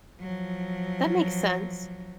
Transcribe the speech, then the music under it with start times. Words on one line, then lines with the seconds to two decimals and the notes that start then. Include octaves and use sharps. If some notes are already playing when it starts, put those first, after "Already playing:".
That makes sense.
0.21 F3 F#3